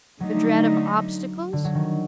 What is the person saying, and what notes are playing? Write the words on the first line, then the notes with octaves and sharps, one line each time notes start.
The dread of obstacles?
D3 F#3 A3 D#4
D3
F#3
D#3